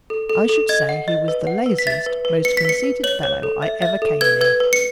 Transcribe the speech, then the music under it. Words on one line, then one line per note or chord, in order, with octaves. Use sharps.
I should say he was the laziest, most conceited fellow I ever came near.
A4
A4
A4
D#5 G#6
F#5
D#5
B4
F#5
B4
B6
E5 A6
B4
B4
B4 C#7
B6
B4 C#7
B4
C#5 F#7
C#5
A4
E5
E5
A4
B4 G#6
B4 G#6
B4
C#7